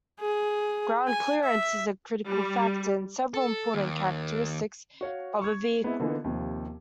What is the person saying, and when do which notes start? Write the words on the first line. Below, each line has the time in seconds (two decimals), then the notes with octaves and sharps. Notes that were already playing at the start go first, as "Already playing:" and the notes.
Ground clearance is a critical factor in several important characteristics of a vehicle.
0.20 G#4
1.08 G#5
1.44 E5
2.26 G3
3.34 A4
3.74 D#2
5.01 F#4 C#5 F5
5.42 C#6 G#6
5.83 G#3 B3 C4 E4
6.00 D3 A#3 B3 D#4 F4
6.24 D#2 C3 F3